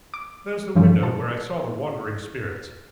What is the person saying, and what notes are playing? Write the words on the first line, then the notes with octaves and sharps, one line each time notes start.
There's the window where I saw the wandering Spirits!
D6
G2 C#3 E3 F3 G3 C#4
B2 F4 A5